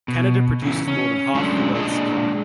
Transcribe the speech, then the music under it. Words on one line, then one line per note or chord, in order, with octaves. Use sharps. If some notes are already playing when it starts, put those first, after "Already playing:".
Canada produces more than half the world's supply.
B2
C#3 E3
C#4
F#3 G#3 A3 C#4 D4 F4
A#2 G#3 D4 D#5